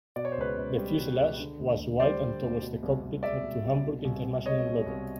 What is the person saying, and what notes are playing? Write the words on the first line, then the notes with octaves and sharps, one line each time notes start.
The fuselage was white and towards the cockpit had to Hamburg International logo.
B2 D5
C#5
C5
C#2 B4 C#5
C#2
G3
B2
C#2
D3
D2
D2
G3 C5 D5
D3
D2
B2
C2
C2
G#3 D5 E5
B2
C2
B2
C2
C4
G#3 C#5 D#5
B2
C2